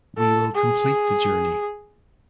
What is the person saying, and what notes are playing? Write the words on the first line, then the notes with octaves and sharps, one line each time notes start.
We will complete the journey.
A4
G#4